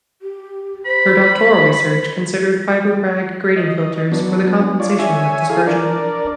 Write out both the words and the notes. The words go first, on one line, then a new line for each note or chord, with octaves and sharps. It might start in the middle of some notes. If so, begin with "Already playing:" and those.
Her doctoral research considered Fiber Bragg grating filters for the compensation of dispersion.
G4
C5 B5
D#5
F#3 B3 D4
D4 F4 C#5 D5
C#5 E5 G#5
E4 G#4 A4 F5 G#5
D4 A#4 D5